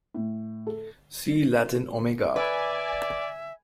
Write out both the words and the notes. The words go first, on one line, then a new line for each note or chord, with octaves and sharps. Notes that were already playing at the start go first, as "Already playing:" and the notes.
See Latin omega.
A2
A4
B4 D5 E5 G#5